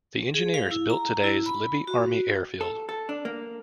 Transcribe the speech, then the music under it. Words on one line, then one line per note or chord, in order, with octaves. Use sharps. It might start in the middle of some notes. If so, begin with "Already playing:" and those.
The engineers built today's Libby Army Airfield.
G#4
F5
E4
A#5
E4
B5
F#4
A4
A4
D4
A#3